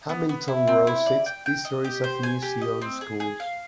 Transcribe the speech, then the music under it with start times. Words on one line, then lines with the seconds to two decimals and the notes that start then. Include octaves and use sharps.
Hamilton wrote six histories of New Zealand schools.
0.09 B3
0.29 B3
0.48 E4
0.67 C4
0.87 E4
1.06 D5
1.26 G5
1.46 G5
1.65 D#5
1.84 G4
2.04 C5
2.23 G#5
2.42 G4
2.61 D#5
2.81 C4
3.01 G#4
3.20 G#4
3.40 F5